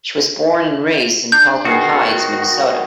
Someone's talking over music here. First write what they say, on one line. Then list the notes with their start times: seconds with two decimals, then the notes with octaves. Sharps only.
She was born and raised in Falcon Heights, Minnesota.
1.32 D4 G6
1.65 D#3 B3 F#4 G#4